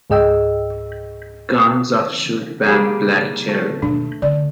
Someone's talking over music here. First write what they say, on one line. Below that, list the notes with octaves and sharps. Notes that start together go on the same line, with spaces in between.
Guns offshoot band Black Cherry.
C#2 G#2 G#4 D#5 G5 E6
G3 A#3 G#4
A3
D#2 B2 D4
D3 D5